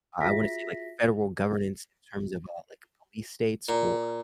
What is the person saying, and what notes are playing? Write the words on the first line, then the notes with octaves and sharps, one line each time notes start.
I I wanna say, like, federal governance in terms of, uh, like police states or
F4 F#4 G#4 E5 A#6 B6
A#2